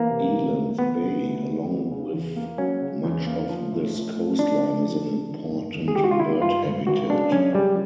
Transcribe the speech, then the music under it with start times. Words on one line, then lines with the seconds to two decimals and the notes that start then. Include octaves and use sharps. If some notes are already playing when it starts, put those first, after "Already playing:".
Eland's Bay along with much of this coastline is an "important" bird habitat.
Already playing: E3 A#3
0.10 C3
0.34 D2
0.55 G#3
0.78 E3 B3
1.01 C3
1.23 D2
1.46 G#3
1.68 F#3
1.91 C#3
2.14 E2
2.36 A#3
2.58 F#3 C#4
2.81 C#3
3.04 E2
3.26 A#3
3.49 F3
3.72 A2
3.94 A#1
4.17 A3
4.39 F3 D4
4.62 A2
4.84 A#1
5.07 A3
5.29 D#3
5.52 G2
5.74 G#1
5.88 G#4
5.96 G#1 G4
6.04 F#4
6.11 F4
6.20 D#3 E4
6.42 G2 F4
6.65 G#1
6.87 G#1 F#4
7.10 C#3 D4
7.32 F#2 C#4
7.55 F#1 G3